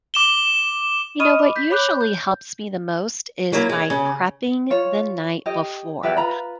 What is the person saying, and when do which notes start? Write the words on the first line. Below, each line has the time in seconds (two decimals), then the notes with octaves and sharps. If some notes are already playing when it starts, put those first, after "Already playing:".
You know what usually helps me the most is by prepping the night before.
0.14 D6 E7 G7
1.20 D#5 B5 C#6 D#6 F6 D#7
1.39 B5 D6
1.56 G6 B6
1.70 C#5 B5 D6 F#6 G6
2.01 G6
3.53 F#3 A#3 E4
3.69 G#3
3.90 C#3
4.70 F4 C#5
5.46 G4 C#5 D#5
6.03 G4 B4 E5 F#5
6.17 F4 B4 A#5 B5